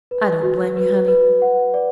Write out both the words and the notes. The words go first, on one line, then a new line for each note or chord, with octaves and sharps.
I don't blame you, honey.
B4
F#4
B4
B4
F#5
D5